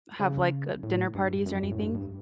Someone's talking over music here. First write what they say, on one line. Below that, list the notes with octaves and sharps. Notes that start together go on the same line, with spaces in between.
have, like, a dinner parties or anything?
C#3
A2
G2
F#2
F#2
A2
G2
G2